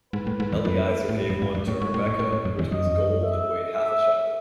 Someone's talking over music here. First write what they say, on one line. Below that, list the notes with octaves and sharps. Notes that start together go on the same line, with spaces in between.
Eliezer gave one to Rebekah which was gold and weighed half a shekel.
G#2 B4
A2
G#2
E2
F#2
A2
G#2
F#2
G#2
F#2
A2 C#5
G#2
A2
A2
A2
A2
F#2
E2
F#2 D#5
E2
F#2
E5
E5